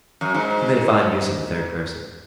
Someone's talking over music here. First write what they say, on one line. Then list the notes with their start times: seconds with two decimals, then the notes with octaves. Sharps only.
He made a fine use of the third person.
0.21 F#2
0.34 G#2